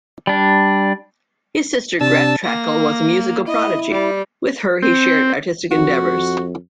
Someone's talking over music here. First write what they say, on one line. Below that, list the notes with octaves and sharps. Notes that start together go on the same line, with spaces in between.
His sister Grete Trakl was a musical prodigy; with her he shared artistic endeavors.
G3 D4
C3 D4 A5 E6
A#3 A#6
E4 D#5
G3
C4
F2 F#4